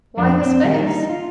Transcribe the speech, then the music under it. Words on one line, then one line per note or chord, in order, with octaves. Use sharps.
"Why his face?"
F2 D4
C4
D#3 G3 A#3 D4
D#4
D4
D#4
D#4
F4